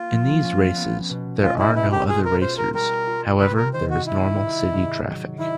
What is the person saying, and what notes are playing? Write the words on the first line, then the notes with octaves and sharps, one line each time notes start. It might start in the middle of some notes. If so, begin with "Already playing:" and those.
In these races, there are no other racers, however there is normal city traffic.
Already playing: A#3 F4
F3
C#4
B3
B2
G#3 F4
E4
B2 E4
G4
F4 G#4
A#4
F4 C5
A#4
G3 A#4
F4
C3 B4
A#4
D#3 C5
F#4
C3 E4
D#3
G#2
F#3
D#3 E4